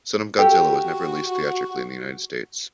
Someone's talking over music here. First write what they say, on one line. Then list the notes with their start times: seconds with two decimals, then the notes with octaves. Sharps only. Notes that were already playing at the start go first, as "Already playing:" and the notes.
"Son of Godzilla" was never released theatrically in the United States.
0.39 F#4 G4 A4 G5